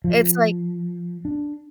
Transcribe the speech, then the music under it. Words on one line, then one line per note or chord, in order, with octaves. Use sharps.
It's like
F3
D4